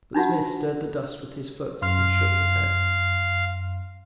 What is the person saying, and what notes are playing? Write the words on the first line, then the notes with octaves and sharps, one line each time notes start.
But Smith stirred the dust with his foot and shook his head.
D4 D#4 F4 F#4 F#5
F#2 F5 C6 F6